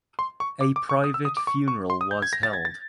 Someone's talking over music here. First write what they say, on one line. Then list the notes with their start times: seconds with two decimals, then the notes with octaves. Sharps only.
A private funeral was held.
0.19 C6
0.40 C#6
0.61 D6
0.76 D6
0.89 C#6
1.04 D#6
1.14 E6
1.25 D#6
1.37 D6
1.47 C#6
1.68 C#6
1.90 C6
2.01 D#6
2.11 G6
2.22 G#6
2.33 A#6
2.43 A6
2.53 G#6
2.65 A6